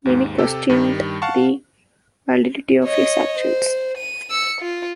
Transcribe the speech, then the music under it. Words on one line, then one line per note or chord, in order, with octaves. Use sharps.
Many questioned the validity of his actions.
D#2 G#2
C3 G4 A4
G2 D#3 G3
F5 F#5 A5 C#6
C#5 D#5
C5
D#7
E6 C#7
F4